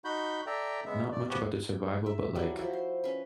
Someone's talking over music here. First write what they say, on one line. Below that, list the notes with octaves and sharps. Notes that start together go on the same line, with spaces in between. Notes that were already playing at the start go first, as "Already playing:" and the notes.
not much about the survival, but, like,
D#4 F#4 B5 G6
A4 D5 E5 G5 A#5
C#3 G#3 B3 E5
A3 D5
F3 B3 F#4 G4
G5
E5
E3 F#3 G3
F3 E4 F#4
C5
C#4 B4